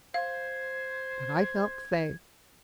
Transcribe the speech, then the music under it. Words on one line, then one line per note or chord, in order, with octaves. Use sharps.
But I felt safe.
C5 F5 G#6